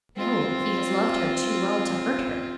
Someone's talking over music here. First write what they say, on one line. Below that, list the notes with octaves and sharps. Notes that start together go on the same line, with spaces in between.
'No, he has loved her too well to hurt her.'
C4 F4